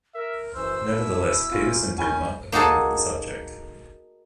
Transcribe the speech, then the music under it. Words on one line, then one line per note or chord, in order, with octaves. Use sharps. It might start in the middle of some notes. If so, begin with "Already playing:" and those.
Nevertheless, Pedersen did not abandon the subject.
A#4 E5
F#2 E3 C5 E6
B2 E4
C#4 F4
D#3 C#4 G#5 B5 G6
A#3 D#4 F#4 G#4 A4 A5